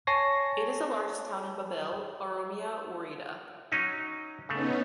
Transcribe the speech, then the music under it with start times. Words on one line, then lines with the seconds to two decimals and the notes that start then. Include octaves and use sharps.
It is the largest town in Babille, Oromia woreda.
0.07 C#5 G#5 A5 C#6 A#6 C7
3.72 F#3 C#4 D#4
4.49 C#3 A3 B3 C#4 D#4